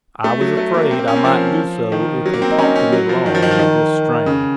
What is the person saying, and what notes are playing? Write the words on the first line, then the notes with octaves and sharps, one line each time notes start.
I was afraid I might do so if he talked to me long in this strain.
A3
F#3
A3
A#3
C4
A#3
C#4
C4
F3
D#3
F#3
A#3
C4
D#4
C#4
C#4
F#3
F3
D#3
F3
D#3
F3
D#3
C#3